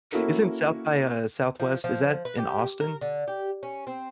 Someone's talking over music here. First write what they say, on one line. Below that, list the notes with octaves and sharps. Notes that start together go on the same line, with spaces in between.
Isn't South by, uh, Southwest? Is that in Austin?
A#3 C#4 E4 F#4 A4 A#4
F3
F3
B4
G4
A#4
D3
G4
C#4
C4